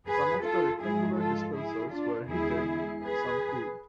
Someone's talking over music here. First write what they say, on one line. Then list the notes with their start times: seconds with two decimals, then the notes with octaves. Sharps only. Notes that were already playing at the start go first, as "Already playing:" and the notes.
Some of the rectangular dispensers were heated, some cooled.
0.09 G#4 B4
0.45 F4 A4
0.82 G#2 F3 G#3 E4 G#4
1.19 F4 A4
1.56 E4 G#4
1.93 D4 F4
2.30 E2 D3 G#3 E4 G#4
3.04 G#4 B4